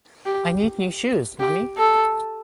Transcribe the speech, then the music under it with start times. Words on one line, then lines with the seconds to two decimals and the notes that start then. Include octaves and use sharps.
I need new shoes, mommy!
0.26 G4
1.40 G4
1.78 A4